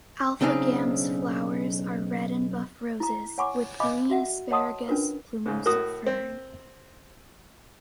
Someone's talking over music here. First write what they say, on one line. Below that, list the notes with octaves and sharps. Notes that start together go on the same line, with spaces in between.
Alpha Gam's flowers are red and buff roses, with green asparagus plumosa fern.
B1 C#3 C4 D4 D#4
E4 A#5
C#5 F#5 G#5 B5 C#6 D6
D#5 F5 G#5 B5 D6
F#4 E5 F#5
C#5 D#5 F#5 A5 C6 D#6
C#4 D4 F4 A#4 B4
G#2 C#3
A2 F#4 A#4 D#6
C4